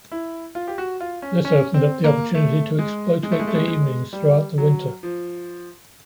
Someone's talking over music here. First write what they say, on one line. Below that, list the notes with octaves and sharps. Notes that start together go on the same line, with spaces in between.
This opened up the opportunity to exploit weekday evenings throughout the winter.
E4
F4
G4
F#4
F4
C#4
C#4
C4
A#3
A3
G#3
G#3
A3
G#3
A3
G#3
G#3
G3
F#3
F3